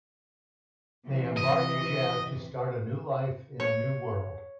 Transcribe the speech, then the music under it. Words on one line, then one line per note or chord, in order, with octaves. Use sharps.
They embark to Jadd to start a new life in a new world.
C3 E3
D#5
C#5